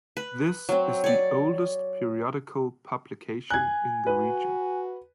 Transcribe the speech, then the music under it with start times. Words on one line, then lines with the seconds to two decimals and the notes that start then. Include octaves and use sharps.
This is the oldest periodical publication in the region.
0.17 B4
0.69 F#3 C4
1.04 C#5 D5
3.50 G#5 F#6 G#6
4.07 F#4 B4